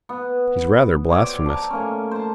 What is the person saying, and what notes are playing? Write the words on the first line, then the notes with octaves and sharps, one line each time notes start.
He's rather blasphemous.
B3 F#5
C4 C#5 D5 D6
A5 A#5
A2 A#3 C#4
C5 A5